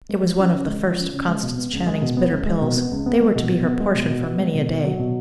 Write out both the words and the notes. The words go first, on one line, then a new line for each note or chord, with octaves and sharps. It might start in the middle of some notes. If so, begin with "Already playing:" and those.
It was one of the first of Constance Channing's bitter pills; they were to be her portion for many a day.
G#3
F3
C#4
C#3
G#3
F3
C#4
C#3
G#3
B2
B3
C#2
G#3
B2
B3
C#2
G#3
B2
B3
C#2
B3
G#3
B2
B2
B3
G#3
B2
B2
B3
G#3
B2
B2
F#3
B2